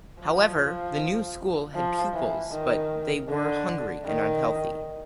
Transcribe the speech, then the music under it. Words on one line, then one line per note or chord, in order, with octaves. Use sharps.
However the new school had pupils but they were hungry and unhealthy.
F3
F3
E3
D#3
D3
D#3